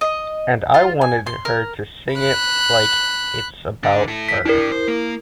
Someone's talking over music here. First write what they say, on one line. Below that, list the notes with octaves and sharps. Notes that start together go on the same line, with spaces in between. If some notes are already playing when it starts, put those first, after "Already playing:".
And I wanted her to sing it like it's about birth.
D#5
F4
G#5
C6
A#4
B5 F#6
D3 D4 A6
E4 A4
B6
D4 E4 G4 A#4
C5
A#3